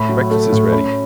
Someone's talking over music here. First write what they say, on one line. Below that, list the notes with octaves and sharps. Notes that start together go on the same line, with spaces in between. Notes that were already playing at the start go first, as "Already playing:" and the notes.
Breakfast is ready.
Already playing: A2 B5
F#3
A3
A2
C#4 B5